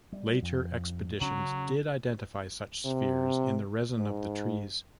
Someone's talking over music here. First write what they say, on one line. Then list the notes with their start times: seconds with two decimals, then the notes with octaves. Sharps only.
Later expeditions did identify such spheres in the resin of the trees.
0.13 G3
0.42 F2
1.21 C#3 F#3 C#4
2.85 C3
3.98 G#2